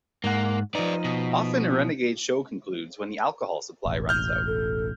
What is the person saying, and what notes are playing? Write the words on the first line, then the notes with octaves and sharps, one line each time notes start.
Often a renegade show concludes when the alcohol supply runs out.
G#2 A#3 F#5
F3 D#4 B4 D5
B2
E1 A1
F6 G6
A4